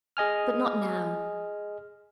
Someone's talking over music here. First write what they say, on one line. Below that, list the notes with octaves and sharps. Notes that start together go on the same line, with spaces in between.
But not now.
G#4 D#5 G#5 F6